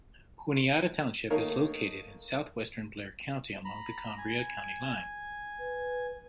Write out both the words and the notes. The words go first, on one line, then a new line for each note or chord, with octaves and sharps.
Juniata Township is located in southwestern Blair County, along the Cambria County line.
D#3 A3 A#3 D#4 A#4 C#5
A#5 B5
G#5
B4